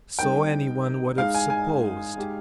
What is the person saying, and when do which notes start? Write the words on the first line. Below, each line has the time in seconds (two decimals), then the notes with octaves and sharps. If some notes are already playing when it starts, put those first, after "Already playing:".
So any one would have supposed.
0.19 G3 C4 D#4 A#4 G5
1.17 G#3 D#4 G#4 F5
1.34 G#5
1.50 G#5
2.16 G#3 D#4 G4